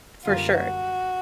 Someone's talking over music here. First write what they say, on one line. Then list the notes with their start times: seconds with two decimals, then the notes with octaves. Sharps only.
For sure.
0.25 F#2 D3 G3 A#3 F4
0.58 F#4